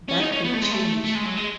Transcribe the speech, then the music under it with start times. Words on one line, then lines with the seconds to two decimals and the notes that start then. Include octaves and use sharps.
That would change.
0.09 C#4
0.20 D#4
0.32 C#4
0.44 B3
0.54 A3
0.62 G#3
0.71 A3
1.04 A3
1.15 G#3
1.25 F#3
1.37 G#3